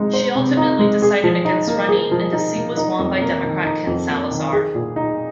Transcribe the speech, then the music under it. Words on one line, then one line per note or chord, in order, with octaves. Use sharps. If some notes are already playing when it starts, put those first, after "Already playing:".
She ultimately decided against running, and the seat was won by Democrat Ken Salazar.
Already playing: C3 G#3 D#4
C5
C3
D#4
G#3
G#4
F3
D#4
A#3
G#4
F3
D#4
A#3
D#4
F2
A#3
D#3
D#4
F2
A#3
D#3
G#4
A#2
D#4